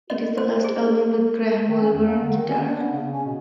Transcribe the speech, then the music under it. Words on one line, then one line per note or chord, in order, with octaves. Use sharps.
It is the last album with Graham Oliver on guitar.
D#5
C5
G#4
D#3
C#4
E2
A#3
D3
D#3
C#4
D4
B3
C#3
C#4
B2